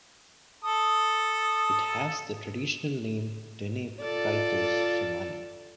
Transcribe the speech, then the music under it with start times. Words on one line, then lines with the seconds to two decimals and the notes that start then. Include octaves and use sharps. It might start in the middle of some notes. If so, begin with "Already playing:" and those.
It has the traditional name Deneb Kaitos Shemali.
0.64 A4 D#6
4.01 F4 A4 D5